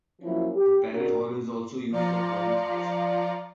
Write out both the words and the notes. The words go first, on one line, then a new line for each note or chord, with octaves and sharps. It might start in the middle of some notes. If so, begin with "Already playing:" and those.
The parish hall is also used for polling stations.
F3 F#3 A#3 C#4 E4
G4
D4 F#4 A#4
F3 F4 D5 F5 A#5 C#7